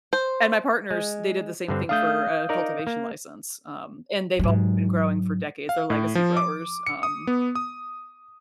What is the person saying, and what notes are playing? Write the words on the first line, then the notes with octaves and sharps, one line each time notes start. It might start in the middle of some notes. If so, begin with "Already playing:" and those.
and my partners, they did the same thing for a cultivation license, um, and they've all been growing for decades, they're legacy growers, um
C5
G#3
G2 D3 C4
A3 D4 F5 D#6 G6
D#4 A#4 D5
A#3
G#2 F#3
F5
A2
F3
D6
C#7
D#6
B3
D#6